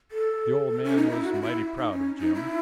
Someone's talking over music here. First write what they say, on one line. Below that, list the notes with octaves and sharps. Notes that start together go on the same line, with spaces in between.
The old man was mighty proud of Jim.
A4
C#4
D#4
E4
F#4
F#4
E4
D#4
C#4
D#4
E4